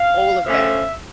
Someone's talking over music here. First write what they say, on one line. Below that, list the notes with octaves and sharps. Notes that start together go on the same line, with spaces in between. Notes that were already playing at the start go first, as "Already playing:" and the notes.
all of them
Already playing: F5
D3 F3 A3 C#4 E5